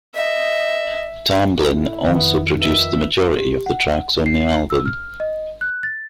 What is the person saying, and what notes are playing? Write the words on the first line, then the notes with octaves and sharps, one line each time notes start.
Tamblyn also produced the majority of the tracks on the album.
D#5 E5
A2 E4
F2 D#3 B3
D#3 D#4 F4 B4 E5
G4
F#5
C7
E6
F6
D#5
F#6
A6